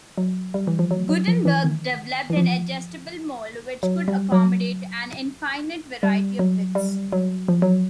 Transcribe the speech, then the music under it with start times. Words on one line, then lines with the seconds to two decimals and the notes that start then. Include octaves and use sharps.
Gutenberg developed an adjustable mold which could accommodate an infinite variety of widths.
0.18 F#3
0.54 G3
0.67 E3
0.79 F3
0.91 F#3
1.09 F#3
1.28 F3
1.45 E3
1.64 D#3
2.30 E3
2.37 F3
3.83 F#3
4.08 G3
4.32 F#3
6.03 G3
6.39 F#3
6.75 G3
7.12 F#3
7.48 F3
7.62 F#3